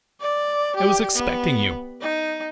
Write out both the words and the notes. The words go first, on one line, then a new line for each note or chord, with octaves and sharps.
I was expecting you.
D5
G4
B3
D#4